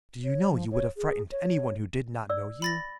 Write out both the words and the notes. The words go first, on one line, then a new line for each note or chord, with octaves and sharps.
Do you know, you would have frightened any one who did not know you?
C#5
F3
C#5
G#4
C#5
D5 E6
B5 A6 A#6